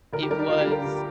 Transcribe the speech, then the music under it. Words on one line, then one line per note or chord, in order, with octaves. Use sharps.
It was
D2 A#4
G4
D3 G3 A#4
D4
D2 F4
G4
D3 G3 A#4
D2